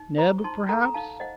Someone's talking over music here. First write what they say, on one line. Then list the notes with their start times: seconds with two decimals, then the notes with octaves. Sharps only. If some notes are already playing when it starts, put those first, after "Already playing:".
"Neb, perhaps?"
Already playing: D#4
0.18 C5 A#5 C#6
0.38 C#6
0.44 D#4 A5 C6
0.69 A4 F#5 A#5
0.84 A#5
0.94 D#4 F5 A5
1.20 C5 D#5 F#5